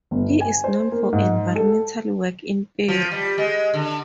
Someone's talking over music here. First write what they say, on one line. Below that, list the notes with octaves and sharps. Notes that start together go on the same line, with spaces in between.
He is known for environmental work in Peru.
G1
G#5
C5
A#3
G#2
A4
F3
G3
G#3
D3